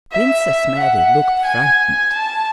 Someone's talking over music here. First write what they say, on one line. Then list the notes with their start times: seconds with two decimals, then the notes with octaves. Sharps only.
Princess Mary looked frightened.
0.12 E5
0.78 F#5
1.45 G#5
2.12 A5